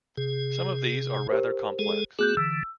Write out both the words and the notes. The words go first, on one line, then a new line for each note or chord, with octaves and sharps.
Some of these are rather complex.
C3 G#4
G4 A#4 C5
G#3 G#4 A4
A3 B3 F#4 G#4 F#6 G6
D3 E3 E6